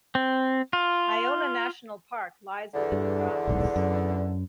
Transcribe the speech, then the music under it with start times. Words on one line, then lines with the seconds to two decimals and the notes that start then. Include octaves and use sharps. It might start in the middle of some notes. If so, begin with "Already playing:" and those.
Iona National Park lies within the province.
0.15 C4
0.73 F4
2.74 E2 D3
2.92 G2
3.47 D#1 B1 G#2
3.76 F#2